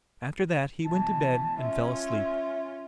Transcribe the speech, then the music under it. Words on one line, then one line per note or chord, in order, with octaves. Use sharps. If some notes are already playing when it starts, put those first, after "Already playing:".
After that he went to bed and fell asleep.
B2 E3 A5
C#4 F4 E5